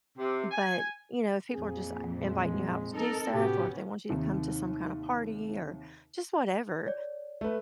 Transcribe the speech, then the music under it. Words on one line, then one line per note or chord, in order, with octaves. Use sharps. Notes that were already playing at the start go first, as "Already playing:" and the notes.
But, you know, if people are just like, inviting you out to do stuff or if they want you to come to some kind of party or just whatever,
C3
G#5
F2 A#2 C4 G#4
G#3
D#4 A4 A#4
A2 C3 B3 C#4 F#4 G4
D#2 C3 D#3
C#5 D5
A3 B4